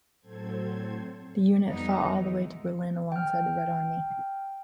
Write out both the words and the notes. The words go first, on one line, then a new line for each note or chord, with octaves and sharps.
The unit fought all the way to Berlin alongside the Red Army.
A2 F#3 C4 A4 C5 G#6
F2 G3 B3 D#4
E3 G#3
G5 F6